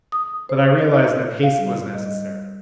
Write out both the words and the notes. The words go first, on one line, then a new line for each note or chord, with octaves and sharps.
But I realized that haste was necessary.
D#6
C5
D#5
F5
G3
D#5